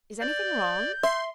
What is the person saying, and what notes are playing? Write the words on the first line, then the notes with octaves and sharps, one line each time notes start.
"Is anything wrong?"
D5 G6
E5 C6